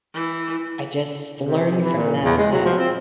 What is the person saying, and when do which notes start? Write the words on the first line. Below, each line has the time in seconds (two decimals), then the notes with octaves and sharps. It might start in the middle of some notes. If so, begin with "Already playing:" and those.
I just learned from that that
0.13 E3
1.40 C3
1.81 E3
1.95 A#2
2.24 E2
2.38 G#3
2.51 F#3
2.65 F3
2.78 C4